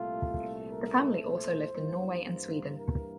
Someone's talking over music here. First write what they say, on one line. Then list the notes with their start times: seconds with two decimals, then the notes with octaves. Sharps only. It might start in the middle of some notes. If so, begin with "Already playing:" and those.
The family also lived in Norway and Sweden.
Already playing: C2 A#2 A3 F4
0.69 A#4
1.21 C5
1.73 G2 E3 A#3
2.25 C5
2.77 A#4